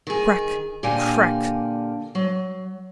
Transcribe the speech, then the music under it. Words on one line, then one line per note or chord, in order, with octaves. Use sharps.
Crack! Crack!
D#3 G#4
A#2 D3 A#3 G4 F5 G#5
F#3